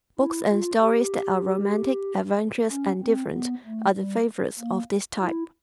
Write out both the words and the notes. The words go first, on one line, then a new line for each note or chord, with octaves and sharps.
Books and stories that are romantic, adventurous, and different are the favorites of this type.
E4
F4
G4
C#4
C4
B3
A3
G3
A#3
E4